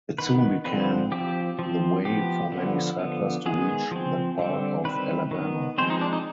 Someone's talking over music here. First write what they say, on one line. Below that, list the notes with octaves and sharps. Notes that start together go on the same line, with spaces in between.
It soon became the way for many settlers to reach that part of Alabama.
D#3 B3 B4
D3 F3 C4 B4
F3 C4 G4
F3 C4
F3 B3 G4
D3 F3 B3
D3 F3 B3
D#3 G#3 B3 G#4
F3 C4
D3 G3 C4
D#3 G3 C4 B4
D#3 B3
F3 G#3 C4 C5
D#4
D4
D#4